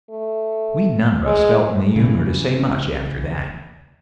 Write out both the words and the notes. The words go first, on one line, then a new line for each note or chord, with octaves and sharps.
We none of us felt in the humour to say much after that.
A3
G#3
C#3 E3